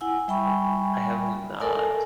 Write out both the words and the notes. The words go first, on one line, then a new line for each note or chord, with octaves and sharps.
I have not.
E4 F#5 G#5 E6
G3 E5 G5 G#5 B5 C#6
A4 A#4 D5 G#5 A5